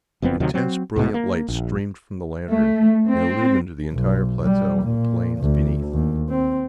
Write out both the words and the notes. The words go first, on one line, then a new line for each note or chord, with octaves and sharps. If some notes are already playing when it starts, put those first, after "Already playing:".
An intense brilliant light streamed from the lantern and illumined the entire plateau and the plains beneath.
F#1 F2 B3 C4
D2 C3 D#3 F#3
F#3 C4
C2 G#2 B2
A#3
A#1
A3
C4
B1
G3
A#2
D2
D#2
C4